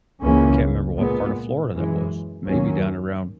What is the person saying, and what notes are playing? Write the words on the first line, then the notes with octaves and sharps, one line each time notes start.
I can't remember what part of Florida that was. Maybe down around,
C#2 C#3 E3 A#3 C#4
A#2 G#3 B3
F#2 E3 G#3
D#2 D#3 F#3 A#3 C#4